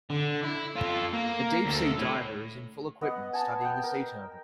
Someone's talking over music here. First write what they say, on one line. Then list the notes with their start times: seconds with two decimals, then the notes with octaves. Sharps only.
A deepsea diver is in full equipment studying a sea turtle.
0.10 D3
0.44 E4
0.76 F4 A4
1.14 A#3
1.66 D2 A4
1.98 A2
3.01 B3 D#5 F#5
3.33 G#5 A5
3.61 B3 G5
3.83 A#4